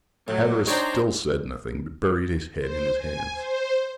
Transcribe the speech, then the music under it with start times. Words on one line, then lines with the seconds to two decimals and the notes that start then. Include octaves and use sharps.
Hatteras still said nothing, but buried his head in his hands.
0.28 A2 F#3
0.67 D4 D#4 C5 C#5 G5 A#5
2.58 C5
2.94 G#5
3.34 C5